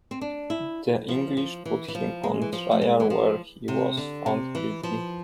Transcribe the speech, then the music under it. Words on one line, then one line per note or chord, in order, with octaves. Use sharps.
The English put him on trial where he was found guilty.
C4
D4
E4
F3
F3
E3
E3
F3
G#3
E3
F3
A3
G#3
E3
F3
C3
D3
C3
E3
F3